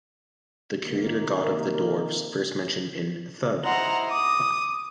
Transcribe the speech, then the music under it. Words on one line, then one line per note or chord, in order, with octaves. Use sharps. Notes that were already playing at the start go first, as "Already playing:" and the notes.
The creator god of the dwarfs, first mentioned in "Thud!".
C3 D#3 A#3
D#4 E4 C5 F#5 A#5
D6 D#6